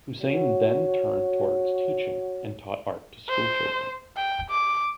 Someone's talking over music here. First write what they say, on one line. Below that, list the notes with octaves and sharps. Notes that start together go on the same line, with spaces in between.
Husain then turned towards teaching and taught art to school children.
F#4 C#5
C5
G5
D6